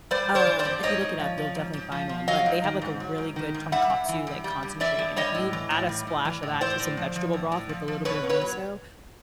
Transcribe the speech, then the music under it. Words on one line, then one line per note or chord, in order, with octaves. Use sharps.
Um, if you look it up, you'll definitely find one, but they have like a really good Tonkatsu like concentrate, and if you add a splash of that to some vegetable broth with a little bit of miso,
G3 C5 D5
G2
C5 D5
E3
C5 D5
G2
G#2 C#5 D#5
G#2
F3
F3
G#2
G#2
F3
F3
F#3 D#5 F5
G#2
D#3
G#2
F#3
G#2
D#3
G#2
G3 E5 F#5
G2
E3
G2
G3
G2
E3 D5 E5
G2
G3 C#5 D#5
A2
E3
A2
G3
A2
E3
A2
A2 C5 D5
A2
F3
F3
A2
A2
F3
F3
B2 B4 C#5
B2
B4 C#5
F#3